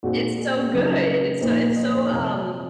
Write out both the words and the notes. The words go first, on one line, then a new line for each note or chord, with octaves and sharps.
It's so good, it's so it's so, um
A#2 G#3 C4 D#4 F#4
G#4
C#3 F#3 C4 D#4 F#4
A#4
A#2 F3 A#3 D#4 C5
D#5
C#5
C5
C#5
C3 F3 C4